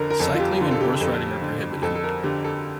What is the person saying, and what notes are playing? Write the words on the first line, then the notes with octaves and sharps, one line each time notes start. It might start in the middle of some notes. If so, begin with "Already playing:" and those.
Cycling and Horse Riding are prohibited.
Already playing: F2 D3 A#4
A#4
F2 A4
F4
G4
D3 F4
A4
G4
F2 A4
D3
F2 A4
A4
A#4
D3 G4
A4